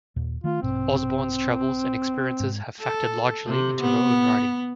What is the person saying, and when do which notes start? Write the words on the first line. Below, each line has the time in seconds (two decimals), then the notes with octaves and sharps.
Osborne's travels and experiences have factored largely into her own writing.
0.16 D#2 A#2
0.44 D#3 A3 F4
0.62 A#1 G2 B2 C4
2.40 G#2
2.81 A4
3.47 C3
3.82 B3